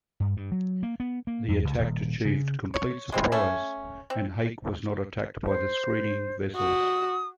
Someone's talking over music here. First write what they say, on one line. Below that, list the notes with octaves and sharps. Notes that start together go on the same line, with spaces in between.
The attack achieved complete surprise and "Hake" was not attacked by the screening vessels.
G2
G2
F#3
A#3
B3
A#3
F2
C#2
D#1
C#3
C#5
G#3 C4 E4
A3 C#4 E5
C4
C5
F#4 D#6